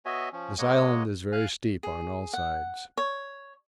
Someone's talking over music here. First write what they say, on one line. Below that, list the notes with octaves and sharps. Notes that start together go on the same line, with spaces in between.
This Island is very steep on all sides.
B3 F#4 C#5 D#5 E5 G#5
F3 C#4
G#3 A#3 C#5 D#5 F#5
F5 G#5 F6 F#6
G#4
F#5
C#5